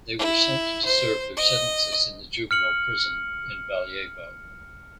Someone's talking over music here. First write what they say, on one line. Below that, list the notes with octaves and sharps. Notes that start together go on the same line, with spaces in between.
They were sent to serve their sentences in the Juvenile Prison in Valjevo.
E4
C5
D#5
F6 C#7 F#7